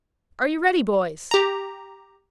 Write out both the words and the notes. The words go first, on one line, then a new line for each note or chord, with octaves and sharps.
"Are you ready, boys?"
G4 A#5